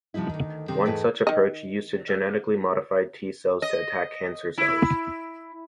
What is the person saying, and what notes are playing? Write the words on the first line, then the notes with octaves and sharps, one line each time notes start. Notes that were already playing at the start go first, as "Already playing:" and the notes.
One such approach used genetically modified T cells to attack cancer cells.
C3 F3 G3 D#4 E4
D2 D#3
C3 D#3 C4 D#4 G4
E2 G#2 A3 G#4 B4 G5
D#3 D#5
D#5
E4